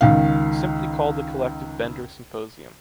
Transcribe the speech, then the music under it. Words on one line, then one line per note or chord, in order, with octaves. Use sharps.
We simply call the collective bender symposium.
C#2 D#3 F5